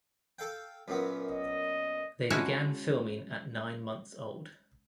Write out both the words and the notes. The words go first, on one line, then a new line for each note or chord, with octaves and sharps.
They began filming at nine months old.
A4 F5 G5
F#2 A#2 B3
D#5
G#3 C#4 E4 F#4 C#5 A5